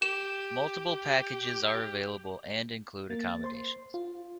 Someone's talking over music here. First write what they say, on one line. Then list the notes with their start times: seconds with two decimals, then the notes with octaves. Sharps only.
Multiple packages are available and include accommodations.
0.02 G4 E7
3.10 A#3 A6
3.44 C5 C6
3.94 F4